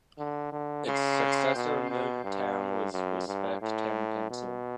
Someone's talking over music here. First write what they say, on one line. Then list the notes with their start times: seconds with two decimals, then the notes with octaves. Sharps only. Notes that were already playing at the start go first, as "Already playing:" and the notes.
Its successor in the town was Wisbech Town Council.
0.18 D3
0.52 D3
0.86 C#3
1.55 B2
1.90 B2
2.24 G2
2.93 F#2
3.27 G2
3.61 A2
4.30 B2